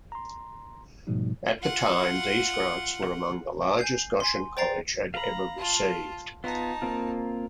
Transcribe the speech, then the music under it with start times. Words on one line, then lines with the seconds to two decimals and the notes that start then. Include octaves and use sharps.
At the time, these grants were among the largest Goshen College had ever received.
0.12 A#5 C6
1.07 G#2 B2 F3 G3 A3 D#4
1.61 F4 F#5
3.79 G#5 G6 C7
4.20 G#5 C6
4.57 C5 D5 G5 A#5 A6 C7
5.14 F5 A#5 B5
5.58 F4 A5
6.44 B3 D#4 F4 A5
6.82 A#3 C4 F4